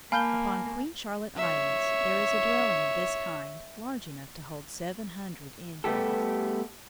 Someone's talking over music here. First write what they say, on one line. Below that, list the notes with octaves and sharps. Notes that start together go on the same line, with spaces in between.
Upon Queen Charlotte Islands there is a dwelling of this kind large enough to hold seven hundred Indians.
A#3 F5 G#5 A5 B5 F6 G6 G7
C#5 E5
G3 A3 B3 G4 A4